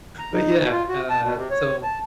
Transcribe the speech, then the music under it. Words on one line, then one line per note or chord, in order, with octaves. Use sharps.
but yeah, uh, so,
A#5
D#4
B2
F4
F#4
A5
B2
C3
C#5
A5